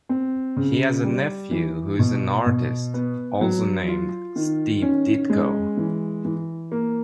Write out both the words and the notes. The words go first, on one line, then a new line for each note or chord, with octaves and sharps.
He has a nephew who is an artist, also named Steve Ditko.
C4
C#3
G3
E3
B2
B2
B3
F#3
F4
D#3
C#4
G#3
E3
E3
A#3